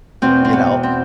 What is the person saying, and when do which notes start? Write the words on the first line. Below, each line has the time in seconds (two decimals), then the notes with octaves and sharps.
you know?
0.22 E2 B2 C4
0.45 C4
0.53 B3
0.83 C4